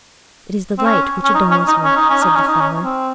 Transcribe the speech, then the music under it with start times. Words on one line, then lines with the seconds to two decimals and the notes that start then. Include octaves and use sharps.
"It is the light which adorns me," said the flower.
0.78 C4
0.85 C#4
1.24 C#4
1.35 D#4
1.51 C#4
1.68 D#4
1.84 C#4
1.97 D#4
2.10 C#4
2.22 D#4
2.35 C#4
2.48 D#4
2.61 C#4
2.84 C4